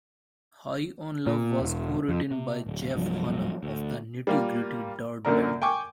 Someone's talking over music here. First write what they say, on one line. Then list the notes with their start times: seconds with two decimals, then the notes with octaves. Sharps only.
"High on Love" was co-written by Jeff Hanna of the Nitty Gritty Dirt Band.
1.26 A#2
1.61 E1
2.09 F2
2.31 C3
2.66 D1
2.94 C2 G2 F3 F#3
3.63 D2
4.27 G3 A#3 F4
5.25 F#2 A#2 D3 A#4
5.62 G5 G#5 C#6 D6